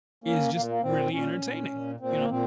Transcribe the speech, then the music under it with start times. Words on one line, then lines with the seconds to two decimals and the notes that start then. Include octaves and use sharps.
is just really entertaining. You know?
0.24 A#3 C#4
0.54 A#2 A#3
0.69 A#3
0.82 A#2 C4
1.12 A#2 C#4
1.41 A#2
1.71 A#2
2.00 A#2 C4
2.19 A#3
2.29 A#2 C4